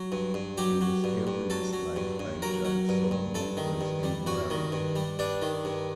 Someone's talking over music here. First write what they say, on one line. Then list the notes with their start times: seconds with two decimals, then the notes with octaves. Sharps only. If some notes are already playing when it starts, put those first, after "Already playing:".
He was heavily disliked by Judge Solomon for his amorality.
Already playing: F#3
0.12 G2
0.34 G2
0.58 F#3 G4
0.81 F#3
1.04 G2
1.27 G2
1.50 F#3 A4
1.73 F#3
1.96 G2
2.19 G2
2.42 F#3 A#4
2.65 F#3
2.89 G2
3.11 G2
3.34 G2 A4
3.57 D#3
3.81 G2
4.03 G3
4.26 G2 F#4
4.50 D#3
4.72 G2
4.96 G3
5.19 G2 D4
5.42 D#3
5.65 G2